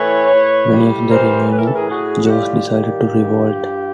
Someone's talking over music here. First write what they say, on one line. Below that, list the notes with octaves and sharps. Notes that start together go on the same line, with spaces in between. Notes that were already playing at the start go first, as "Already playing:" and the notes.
Many of the remaining Jews decided to revolt.
Already playing: A2 E3 B4 C#5
A2
G3
E3 A#4 C5
A2 B4
A#4
A4
G#4 A#4
A2 F#4 G#4
F#4
G3 F4 G4
D#3 F4 G4
G2
G2